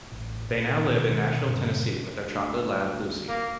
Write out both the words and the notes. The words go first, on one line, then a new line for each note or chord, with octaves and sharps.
They now live in Nashville, Tennessee with their chocolate lab, Lucy.
A1
A#2
D1 B2 D#3 C4
G2 A#2 C#3
D2
A#3